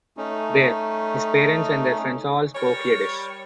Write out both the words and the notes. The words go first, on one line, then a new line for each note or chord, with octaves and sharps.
There, his parents and their friends all spoke Yiddish.
A3 C#4 D#4
G3 A#4 C#5